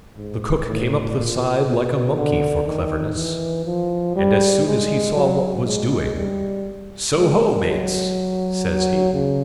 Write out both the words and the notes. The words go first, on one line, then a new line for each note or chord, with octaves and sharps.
The cook came up the side like a monkey for cleverness, and as soon as he saw what was doing, "So ho, mates!" says he.
G#2
A2
A#2
B2
D3
D#3
E3
F3
G3
G#3
F#3
G#3
G3
G#3
F#3
C#3